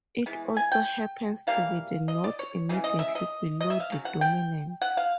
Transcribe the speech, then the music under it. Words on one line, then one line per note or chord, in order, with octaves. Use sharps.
It also happens to be the note immediately "below" the dominant.
E3 G#3 B3
G#5
G5
E3 G3 A#3 F5
D#5
D5
C#5
C#3 E3 G#3
D#5
E5
D#5
D#5
E5
F5
C#3 F#3
F#5
G5
F#5
F5